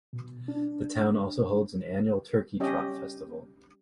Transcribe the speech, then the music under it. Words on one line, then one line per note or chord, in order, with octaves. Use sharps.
The town also holds an annual Turkey Trot Festival.
B2
D4
G3 C#4 G4 D#5